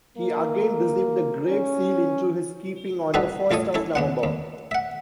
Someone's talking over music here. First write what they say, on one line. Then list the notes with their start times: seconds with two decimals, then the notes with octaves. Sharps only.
He again received the Great Seal into his keeping on the first of November.
0.18 A#3
1.47 C#4
3.14 G3 C4 D#4 F#4 A4 B4
3.51 A1 F4 A4 C#5 D#5
3.74 C#4 E4 A4
3.95 D#2 B3 F#5
4.23 D#2
4.71 E5 F#5